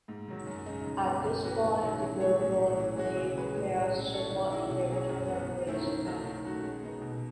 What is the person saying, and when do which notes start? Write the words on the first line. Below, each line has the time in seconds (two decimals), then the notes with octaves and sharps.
At this point, the group built their first chapel, in the Tower Bridge area.
0.08 G#2
0.28 D#3 F#3
0.47 F#2
0.66 C#3 G#3 D#4
0.85 F#2
1.05 C#3 G#3 B3
1.24 F#2
1.43 E3 B3 F#4 B4
1.63 G#2
1.82 D#3 F#3 C#4
2.00 E3
2.20 A3 C#4 G#4 C#5
2.40 A2
2.59 G#3 C#4
2.77 E3
2.97 G#3 C#4 F#4
3.16 C#3
3.36 G#3 C#4 G#4 B4
3.55 A2
3.74 G#3 C#4
3.93 F#3
4.13 C#4 E4 A4 C#5
4.32 D#3
4.51 F#3 C#4 E4 G#4
4.70 B2
4.90 F#3 C#4 G#4 C#5
5.09 F#2
5.28 E3 B3
5.47 F#2
5.67 D#3 A3 C#4 E4
5.87 D#3
6.05 F#3 A3 D#4
6.24 D#3
6.44 A3 C#4 F#4
6.64 G#3
6.83 B3 D#4
7.01 B2